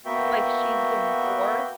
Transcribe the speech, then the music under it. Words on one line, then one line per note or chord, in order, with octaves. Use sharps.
like, she's divorced
A#3 B3 F#4 E5 G5